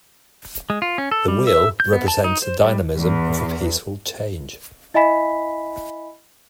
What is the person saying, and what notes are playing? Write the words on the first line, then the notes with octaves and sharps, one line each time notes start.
The wheel represents the dynamism of a peaceful change.
G#3
F4
C#4
A4
G3
E5
G6
B3
A5
D#4
C5
G3
E2
E4 D#5 E5 G#5 B5 B6